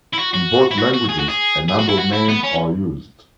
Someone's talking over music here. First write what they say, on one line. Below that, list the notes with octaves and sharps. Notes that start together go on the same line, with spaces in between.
In both languages, a number of names are used.
E4
F#4
F#4
E4
F#4
F#4
G#4
F#4
G#4
G#4
F#4
E4
F#4
E4
B3
C#4